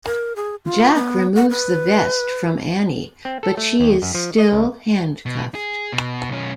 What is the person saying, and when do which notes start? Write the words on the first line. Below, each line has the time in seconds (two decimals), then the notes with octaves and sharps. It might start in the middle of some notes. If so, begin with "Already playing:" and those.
Jack removes the vest from Annie, but she is still handcuffed.
0.06 A#4
0.36 G#4
0.65 F4
0.95 B3
1.36 F#5
1.50 B4
3.25 C4
3.43 A4
3.57 A3
3.80 D#2
4.02 F#2
4.15 F3
4.38 D#5
4.52 C#2
5.26 B2
5.55 G#4
5.93 B2
6.29 B1 C#4